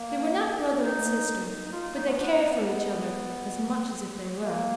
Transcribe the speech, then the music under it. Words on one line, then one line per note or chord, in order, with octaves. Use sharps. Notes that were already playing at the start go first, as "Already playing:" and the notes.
They were not brother and sister; but they cared for each other as much as if they were.
Already playing: A#3
D#4
D#4
F4
D#4
B3
D4
B3
A#3